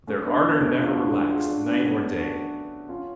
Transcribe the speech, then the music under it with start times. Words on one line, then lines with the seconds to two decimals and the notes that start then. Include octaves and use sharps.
But their ardor never relaxed, night or day.
0.07 A3 C#4
0.25 B3 D4
0.43 B3 D4
0.60 A3 C#4
0.73 D4
0.78 C#4 F4
0.96 D4 F#4
1.13 D4 F#4
1.31 F4 G#4
1.48 D4 F#4
1.66 B3 D4
1.84 A3 C#4
2.02 B3 D4
2.20 D4 F#4
2.89 C#4 F4